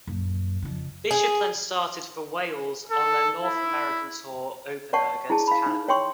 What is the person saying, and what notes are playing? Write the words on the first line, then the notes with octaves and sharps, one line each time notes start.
Bishop then started for Wales on their North America tour opener against Canada.
A#1 F#2
F2 C#3
G#4
A4
E4
C#5 D5 F#5 A5 C#6
E4 G#4 A5
F5 B5
D#4
C#5 G5 C6 C#6